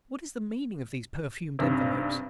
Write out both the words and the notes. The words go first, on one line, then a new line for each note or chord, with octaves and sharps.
What is the meaning of these perfumed envelopes?
B1 G2 C3